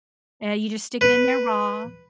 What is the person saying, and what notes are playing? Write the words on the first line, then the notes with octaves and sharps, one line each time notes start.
Eh, you just stick it in there raw
B4